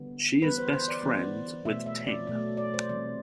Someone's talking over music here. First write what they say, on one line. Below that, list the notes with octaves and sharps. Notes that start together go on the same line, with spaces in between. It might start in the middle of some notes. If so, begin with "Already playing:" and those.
She is best friend with Ting.
Already playing: D3 G3 B3
E3 G3 B3 B4
C5
C5
D5
E3 G3 B3
B2 F#3 A3 E5
E5
E5
D5
B2 F#3 A3 D5
D5
C5
C3 E3 G3 D5